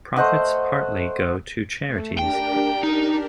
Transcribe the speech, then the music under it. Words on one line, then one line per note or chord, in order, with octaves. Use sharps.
Profits partly go to charities.
A3 C5 D#5 F#5
A3
D4 G4 A#4 G5
D#4